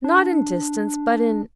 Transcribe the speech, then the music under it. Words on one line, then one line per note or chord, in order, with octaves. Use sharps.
'Not in distance, but in--.
D4